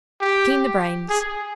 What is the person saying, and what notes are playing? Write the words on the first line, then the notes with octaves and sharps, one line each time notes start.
Clean the brains.
G4
G#4